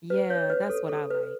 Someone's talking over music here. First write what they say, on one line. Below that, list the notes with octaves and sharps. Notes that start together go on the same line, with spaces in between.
Yeah, that's what I like.
B4
C#5
B4
A4
A4
B4